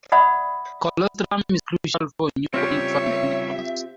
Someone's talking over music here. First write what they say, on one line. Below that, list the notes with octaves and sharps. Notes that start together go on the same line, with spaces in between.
Colostrum is crucial for newborn farm animals.
D5 E5 F#5 B5 D#6
C#3 G3 C4 F4 G4 C#5 E5